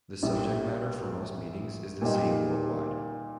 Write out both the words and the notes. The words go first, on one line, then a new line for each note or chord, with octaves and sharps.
The subject matter for most meetings is the same worldwide.
A#1 A#2 G3
A#2 G3 A#3 D#4